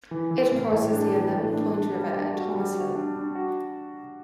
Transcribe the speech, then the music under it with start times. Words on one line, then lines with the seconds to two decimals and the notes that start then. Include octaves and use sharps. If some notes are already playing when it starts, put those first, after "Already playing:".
It crosses the Eleven Point River at Thomasville.
0.11 E3
0.31 E3
0.52 A2
0.72 A2
0.93 D4
1.12 E3
1.33 A2
1.53 D4
1.73 D4
1.94 G3
2.14 D4
2.35 F#4
2.55 G3
2.74 F#4
2.96 D4
3.16 D4
3.35 F#4